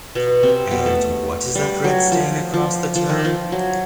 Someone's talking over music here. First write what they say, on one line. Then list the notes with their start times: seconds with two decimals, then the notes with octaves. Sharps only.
And what is that red stain across the toe?
0.15 B2 B3
0.43 C3 C4
0.71 B2 B3
0.86 A3
1.55 G3
1.84 F#3
2.12 F3
2.54 F3
2.95 F3
3.09 D#3
3.25 F3
3.52 F#3